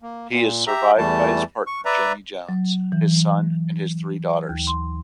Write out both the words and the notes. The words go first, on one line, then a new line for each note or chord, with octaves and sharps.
He is survived by his partner Jennie Jones, his son and his three daughters.
A#3
A#2
G4 E5 A#5
E2 E3 G3 A3 A5
C#6
B4 D5 E5 A#5
F#3
E3
D#2
C6